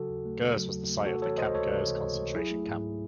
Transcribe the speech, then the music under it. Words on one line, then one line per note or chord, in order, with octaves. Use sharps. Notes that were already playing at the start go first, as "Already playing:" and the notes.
Gurs was the site of the Camp Gurs concentration camp.
Already playing: C#3 F#3 F#4 A4
D#2
A3
C#3
F#3
D#2
A3
C3 F#4 A4
E3 A4 C#5
C#2 C5 D#5
C#2 A4 C#5
C3
E3
C#2
C#2
F#3 E4 G#4
A3
G#2